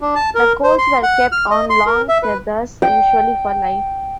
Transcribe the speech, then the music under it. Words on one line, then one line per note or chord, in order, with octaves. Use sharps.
The colts were kept on long tethers, usually for life.
D4
A5
A#4
C5
C6
F#5
F6
D#5
C6
A#4
E5
B4
G5